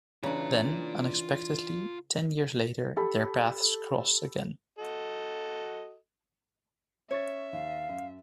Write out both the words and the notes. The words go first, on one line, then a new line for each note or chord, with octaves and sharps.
Then, unexpectedly, ten years later, their paths cross again.
C#3 E3 D4 F4 A#5
G4 A4 B5
F#4 A4 D#5
C#4 C#5 E5 A6
D#2 F5
F#2